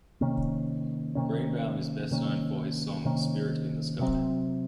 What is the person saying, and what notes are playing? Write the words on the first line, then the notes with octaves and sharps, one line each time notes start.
Greenbaum is best known for his song "Spirit in the Sky".
C3 D#3 A#3 C#4
C3 D#3 A#3 C#4
C3 D#3 A#3 C#4
C3 D#3 A#3 C#4
C3 F#3 C4